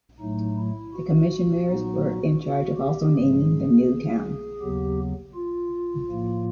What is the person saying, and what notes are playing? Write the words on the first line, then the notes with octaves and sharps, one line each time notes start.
The commissioners were in charge of also naming the new town.
A2 F#3 A3 D#4
E4
F#4
A#2 F#3 B3 D#4
F#4
G4
G#2 F3 G#3 G#4
D#2 C#3 F#3 B3 G4
F4
A2 F3 A#3